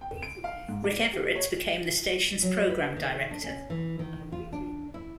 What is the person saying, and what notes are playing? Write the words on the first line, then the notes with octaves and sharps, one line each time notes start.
Rick Everett became the station's Program Director.
G5
D7
F5
G#2
D5
G4
C#5
F#3
B4
D#3
D4
C#4
E3
D#3
F4
D4
E4